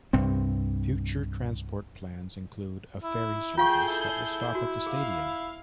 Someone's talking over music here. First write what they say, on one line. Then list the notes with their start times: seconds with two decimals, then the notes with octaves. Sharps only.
Future transport plans include a ferry service that will stop at the stadium.
0.13 C2 G2 C4
3.03 E4
3.57 F4 G#4 A4 F5 G5 C#6 G6
3.87 E4
4.55 F#4
4.86 G#4 F5